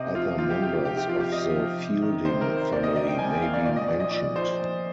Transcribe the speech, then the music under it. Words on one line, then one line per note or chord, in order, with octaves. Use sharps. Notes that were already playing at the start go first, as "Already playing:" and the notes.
Other members of the Feilding family may be mentioned.
Already playing: C3 D#5
F3 F4
C3 F4
G4
F3 G4
F4
C3 G4
G4
F3 F4
G4
C3 D#5
F3
C3
D#3
C3 C5
A#4
D#3
C5
C3 D5
D#5
D#3 D#5
G5
C3 G#5
G5
D#3 F5
D5
A#2 D5
D#5
F3 D5
D#5
A#2 D5
F3 C5
A#2